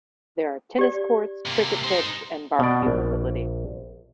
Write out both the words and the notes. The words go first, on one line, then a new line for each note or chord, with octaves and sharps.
There are tennis courts, cricket pitch and barbecue facilities.
G4 D5
C3 A#3
D#4 C5
B2 D5
A#1